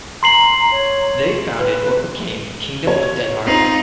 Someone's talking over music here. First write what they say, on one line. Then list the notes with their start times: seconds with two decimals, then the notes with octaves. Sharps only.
They founded what became the Kingdom of Denmark.
0.23 A#5 C6 C7 F#7
0.71 C#5
1.58 B4
2.87 C#5
3.47 C4 D#4 F4 C7 F#7